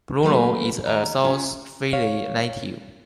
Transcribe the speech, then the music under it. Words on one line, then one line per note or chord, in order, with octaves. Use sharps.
Bruno is a "South Philly" native.
F#3 A3 A#3 B4
D#2 A#5
C#4 F4
C#5 F5